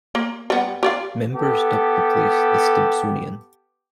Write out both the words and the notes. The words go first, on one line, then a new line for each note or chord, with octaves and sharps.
Members dubbed the place The Stimpsonian.
A#3
G3 B3
G4 D5 F5
B3 G4 A4